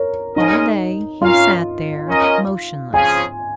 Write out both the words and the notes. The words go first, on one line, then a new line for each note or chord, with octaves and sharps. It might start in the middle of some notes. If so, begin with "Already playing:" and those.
All day he sat there, motionless.
Already playing: A#4 C#5
G#3 C#4 D#4 A#4 D#5
C#4 F4 A#4 F5
C#4 A#4 D#5
C#3 F3 C#4 G#4 G#5